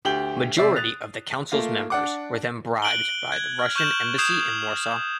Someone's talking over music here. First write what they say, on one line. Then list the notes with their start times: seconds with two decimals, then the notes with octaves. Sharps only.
Majority of the Council's members were then bribed by the Russian embassy in Warsaw.
0.05 D2 G4 G6 F#7 G7
0.57 C3 D5 E5 C7
0.76 D#6 F#6 A6 F7
1.52 A3 A#3 F4
1.90 D4 F#5 D6
2.82 F#6 D7 F#7 G7
3.32 F#6 G#6
3.59 F6
3.76 C#6 F6 G6 E7 F#7
4.18 D#6 G6 G#6 C7 E7 F7